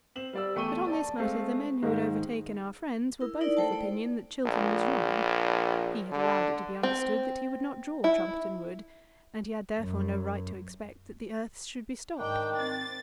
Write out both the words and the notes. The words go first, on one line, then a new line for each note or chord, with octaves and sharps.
But on this matter the men who had overtaken our friends were both of opinion that Chiltern was wrong. He had allowed it to be understood that he would not draw Trumpeton Wood, and he had therefore no right to expect that the earths should be stopped.
C4 E7 F#7
G3 D5 E6
E2 A3 G5 C#6 D#7 G7
D5 A5
G#3 A3 C4 F5
G#2 D#3 G#3 A#3
E4 A#4
D#4 E4 A#4 D5
A3 A4 C5 G5 A5
D5
A#1
D3
C4
E4
F#2
G#2 D#3 D4 G5
C4 A6